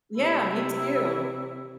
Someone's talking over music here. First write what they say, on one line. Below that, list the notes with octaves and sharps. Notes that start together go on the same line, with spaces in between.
Yeah, me too.
C3 E4